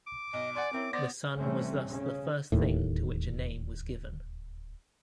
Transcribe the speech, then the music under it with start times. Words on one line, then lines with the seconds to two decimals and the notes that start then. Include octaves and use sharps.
The sun was thus the first thing to which a name was given.
0.07 D6
0.33 B1 D#5
0.55 D5 F#5 G#5 C6
0.73 C4 C#4 E4 A#4
0.93 B3 C5 D5 D6 A#6
1.37 C3 E3 G3 A3 C4 C#4
1.87 B1 C#3 C#4
2.52 D1 D#2 A2